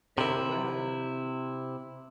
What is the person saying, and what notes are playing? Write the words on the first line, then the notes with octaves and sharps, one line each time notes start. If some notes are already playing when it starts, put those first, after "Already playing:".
as well.
C3 E4